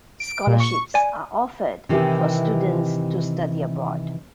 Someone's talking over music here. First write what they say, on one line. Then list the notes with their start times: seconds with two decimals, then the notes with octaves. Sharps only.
Scholarships are offered for students to study abroad.
0.20 D7
0.47 A#2
0.60 C#6
0.94 D5 G#5
1.89 C3 D#3 E3 C4 E4 G4